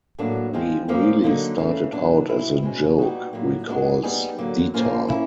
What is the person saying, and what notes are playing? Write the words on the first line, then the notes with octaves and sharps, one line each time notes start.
"We really started out as a joke," recalls Detar.
A2 F#3 A#3 D4 F#4
F3 G#3 C4
D3 F3 A#3 C#4
D3 F#3 A#3 D#4
C#3 E3 A3
B2 F#3 B3 D4
B2 G#3 C4 E4
B2 G#3 C#4
A#2 G3 B3 D#4 F#4
A2 F#3 A#3
G#3 B3 D4 F#4
G3 B3 D#4 G#4
D3 F#3 A#3
C#3 F3 A#3 C#4 F4
A#3 C#4 E4